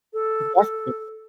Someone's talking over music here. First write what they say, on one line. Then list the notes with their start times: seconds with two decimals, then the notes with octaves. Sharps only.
That's good.
0.13 A4
0.57 A4